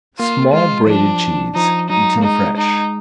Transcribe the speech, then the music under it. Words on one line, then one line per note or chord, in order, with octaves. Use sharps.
Small, braided cheese, eaten fresh.
A#3 F4
G#3 F4
F3 D4
F3 D#4
F#3 D#4
A#3
G#3 D#4
D#4